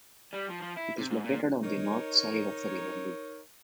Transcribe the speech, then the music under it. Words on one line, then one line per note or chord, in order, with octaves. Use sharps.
It is located on the north side of the River Lee.
G3
F3
F3
E4
C3
G#2
A#2
D#4 A#4 C#5